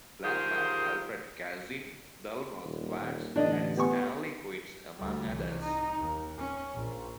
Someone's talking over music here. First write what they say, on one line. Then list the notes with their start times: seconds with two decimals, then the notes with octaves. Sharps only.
Blackmur, Alfred Kazin, Delmore Schwartz, and Stanley Kunitz among others.
0.24 D#3 F4 G4 G#4 A#4 C5
2.64 D#1
2.99 D#1
3.36 A1 D3 D4 D5 D#5
3.77 B3 G4 G#5 C#6
4.97 D2 G3
5.28 C2 E3
5.60 D#4
5.98 D#2
6.37 C#4
6.74 A#1